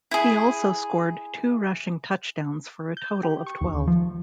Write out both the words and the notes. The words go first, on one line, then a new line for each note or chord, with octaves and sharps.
He also scored two rushing touchdowns, for a total of twelve.
E4 G#4
G6
G4
C#6
D#2
F3